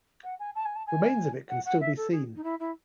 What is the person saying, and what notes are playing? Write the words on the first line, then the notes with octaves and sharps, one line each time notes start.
Remains of it can still be seen.
F#5
G#5
A5
G#5
A5
G#5
F#5
F#5
E5
A4
G#4
D#4
E4
E4